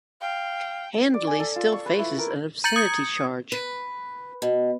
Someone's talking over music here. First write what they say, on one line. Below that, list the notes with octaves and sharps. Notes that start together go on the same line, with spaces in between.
Handley still faces an obscenity charge.
F5 G5
D5
G#5
A4
F4
C#6
B4
E4
A#4
A#5 G6 A6 C#7 F#7
D#6 G#6 C#7
B4
B2